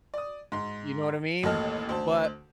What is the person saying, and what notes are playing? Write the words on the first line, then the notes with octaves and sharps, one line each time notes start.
You know what I mean? But
D5 D#6
G#2 C6
A1 D#2 A4 D#5 F6
D2 C5 A5